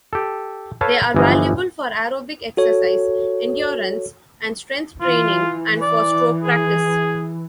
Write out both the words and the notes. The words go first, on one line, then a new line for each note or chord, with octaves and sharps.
They are valuable for aerobic exercise, endurance and strength training, and for stroke practice.
G4 A4
A4 B4 C#5 F5 A5
G1 E3 F3 D#5
F#4 A4 C#5
E3 F4
D5
G#4